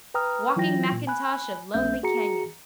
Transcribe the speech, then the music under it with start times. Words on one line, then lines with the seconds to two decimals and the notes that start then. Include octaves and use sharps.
Walking Mackintosh of lonely canyon.
0.14 B4 G5 A#5 D#6 F6
0.56 E3 F#3 E4 F4 G5 A#6
0.92 A#2
1.07 G#5 B5 F#6
1.74 A#1 A3 C#4 E5 G6
2.03 F#4 G#4 A#5 C#7